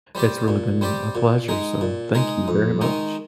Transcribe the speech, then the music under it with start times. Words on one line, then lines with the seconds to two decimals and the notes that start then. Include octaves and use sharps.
It's really been a pleasure, so thank you very much.
0.15 G3 C4 G4 D5
0.48 A#2
0.81 G3 C4 G4 D5
1.15 A#2
1.48 G#3 D#4 G#4
1.81 A#2
2.15 G#3 D#4 G#4
2.48 F2
2.81 D#3 G#3 D#4